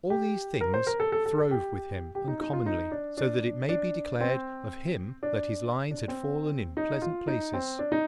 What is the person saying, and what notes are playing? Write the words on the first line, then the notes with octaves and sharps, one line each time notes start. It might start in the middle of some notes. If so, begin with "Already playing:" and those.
All these things throve with him uncommonly, so that it may be declared of him that his lines had fallen in pleasant places.
G4
A#4
C5
A#4
A4
A4
A4
A4
G4
G4
D#4
D#4
F4
D#4
D4
D4
D4
C4
D4
D4
C4
D#4
F4
D#4
C4
D4
D#4